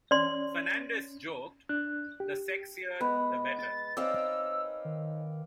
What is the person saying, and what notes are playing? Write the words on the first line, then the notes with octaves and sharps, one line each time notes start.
Fernandes joked The sexier the better.
C#4 D5 C6
D4 F#6
G4
G#3 B3 B4
A6
C4 C#4 D#4 D5 F5 E6
D#3